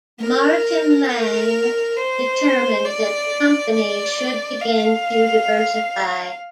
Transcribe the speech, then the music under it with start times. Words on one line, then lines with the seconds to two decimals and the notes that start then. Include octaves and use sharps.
Martin Laing determined that the company should begin to diversify.
0.20 A#4
1.08 A#4
1.97 C5
2.85 D5
3.74 D5
4.62 F5